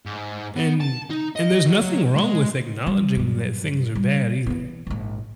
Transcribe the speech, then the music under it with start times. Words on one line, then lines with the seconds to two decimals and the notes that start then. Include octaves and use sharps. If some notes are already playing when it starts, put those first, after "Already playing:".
and and there's nothing wrong with acknowledging that things are bad, either.
0.06 G#2
0.56 B3
0.80 A5
1.10 D#4
1.36 D#5
1.67 F#3
2.15 G#3
2.87 G3
3.16 G2 F#3
3.95 G3
4.47 E3 B3
4.87 A#1 G#2